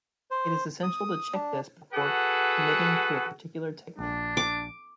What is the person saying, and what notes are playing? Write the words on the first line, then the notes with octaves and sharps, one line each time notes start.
It is essential to check this before committing to a particular technique.
C5
D#6
D4
F#4 G#4 A4 B4 F#5
A#1 D4
D6